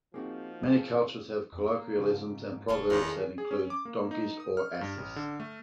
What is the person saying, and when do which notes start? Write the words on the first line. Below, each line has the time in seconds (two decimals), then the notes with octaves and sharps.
Many cultures have colloquialisms and proverbs that include donkeys or asses.
0.14 F3 A#3 C4 D#4 F#4 G#4
0.68 C4 G#4 A4
1.52 F2
1.67 A#3
1.98 G#2 C#3 F3
2.68 F1 A3 C#4 G#4
2.90 E2 D#3 F4 C#5
3.38 G#4
3.51 C#4
3.70 D6
3.85 A#3
4.11 D#4
4.40 D#6
4.57 F6
4.81 G2
4.98 A1
5.16 D3
5.40 A3